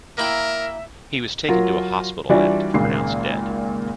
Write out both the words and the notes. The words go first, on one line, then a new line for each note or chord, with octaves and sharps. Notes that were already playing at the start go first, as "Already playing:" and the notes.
He was taken to a hospital and pronounced dead.
A#3 E4 A#4 E5 G5
F#3 F4 A#4
E3 G3 D4 F4 F#4 D5
G#1 C#2 A#2 A#3 C7